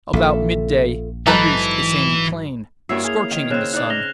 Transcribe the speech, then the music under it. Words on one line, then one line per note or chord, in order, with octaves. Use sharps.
About mid-day he reached a sandy plain, scorching in the sun.
A#1 F4 A4 E5
G#2 E3 F#3 D#4 A4 B4
G2 A#3 E4 F#4 C#5 E5 C7
G#4 F6 G#6 F7
D#3 F7
C#3 C4 F6 F#6 E7
D#4 D5 F#6
A#6 F7 G7